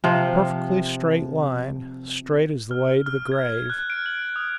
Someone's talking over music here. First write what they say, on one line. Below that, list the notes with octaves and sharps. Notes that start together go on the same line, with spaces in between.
Perfectly straight line-straight as the way to the grave.
C3 F3
F6
F6
G#6
F#6
D7
F#7
D#6